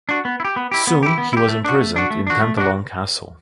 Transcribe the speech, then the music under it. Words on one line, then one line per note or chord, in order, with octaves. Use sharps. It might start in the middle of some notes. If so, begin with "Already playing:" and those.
Soon he was imprisoned in Tantallon Castle.
D4 F#4
B3
E4
G4
B3
E4 G4
B3
E4 G4
B3
E4
G4
A3
D4 F#4
A3
D4 F#4
A3
D4 F#4
A3
D4 F#4